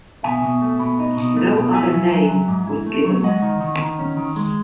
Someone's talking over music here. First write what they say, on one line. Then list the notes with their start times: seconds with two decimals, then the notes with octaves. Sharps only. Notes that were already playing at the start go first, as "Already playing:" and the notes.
No other name was given.
0.23 B2 E5 G#5
0.42 B2
0.62 A3
0.79 B2
0.99 D#4
1.17 B2
1.37 A3
1.55 B2
1.73 E4 E5 G#5
1.92 F#3
2.11 F#3
2.30 F#3
2.48 G#2
2.67 E4
2.86 A3
3.05 F#3
3.23 G#3 D#5 F#5
3.42 D#3
3.61 D#3
3.80 D#3
3.99 C#4
4.17 D#3
4.36 G#3